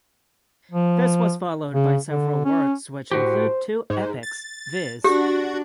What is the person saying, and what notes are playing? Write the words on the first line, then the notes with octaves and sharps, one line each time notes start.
This was followed by several works which include two epics viz.
F3
C#3
D3
C#4
A2 F#4 G4 C5
G#2
A6
D4 F#4 G4